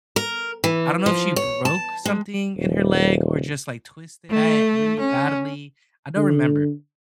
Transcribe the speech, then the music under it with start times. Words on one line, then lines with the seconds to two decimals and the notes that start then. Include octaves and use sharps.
I don't know if she broke something in her leg or, just, like, twisted it really badly, I don't remember,
0.16 A#4
0.64 E3
1.06 F3
1.36 C#5
1.65 A5
2.05 G#3
2.56 D#1
4.31 A3
5.00 C#4
6.16 D3